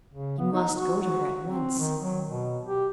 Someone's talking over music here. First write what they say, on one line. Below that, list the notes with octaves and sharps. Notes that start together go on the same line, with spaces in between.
He must go to her at once.
C#3
B3
D#4
F#4
F#4
C4
D#3
F#3
B2
G4